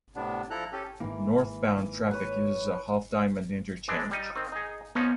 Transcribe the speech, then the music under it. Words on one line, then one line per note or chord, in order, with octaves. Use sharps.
Northbound traffic uses a half-diamond interchange.
A2 C3 B3 D4
F3 E4 A4 A#5 F#6
C#4 G4 A4
G#2 D#3 E3 A#3
B4 C#5
E3 G#3 D4
G3 D#4 D#5
D#3 C4
D#4 G#4
F3 B3 C#4 D#4